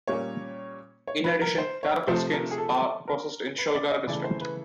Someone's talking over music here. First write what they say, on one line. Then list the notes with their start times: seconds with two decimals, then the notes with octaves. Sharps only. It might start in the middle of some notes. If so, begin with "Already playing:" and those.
In addition karakul skins are processed in Sholgara District.
0.08 A#2 G3 A#3 C#4 C#5
1.07 C#5
1.24 B4
1.42 A#4
1.58 C5
1.83 C#5
2.07 C3 F3 A3 C5
2.33 A#4
2.51 G#4
2.58 A4
3.08 A#4
3.58 B4
3.75 D5
3.91 D#5
4.07 C#3 E3 A3 D5
4.24 C5
4.41 B4